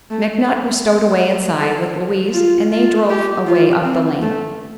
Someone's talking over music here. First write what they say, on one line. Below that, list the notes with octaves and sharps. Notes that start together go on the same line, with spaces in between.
McNutt was stowed away inside, with Louise, and they drove away up the lane.
A3
A4
F4
F4
G4
F4
C4
A3